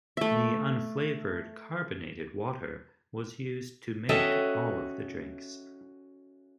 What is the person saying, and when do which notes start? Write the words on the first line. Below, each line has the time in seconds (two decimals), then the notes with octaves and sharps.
The unflavored carbonated water was used to make all of the drinks.
0.17 A3 E5
4.09 C#4 F#4 A4 D#5 E5 G5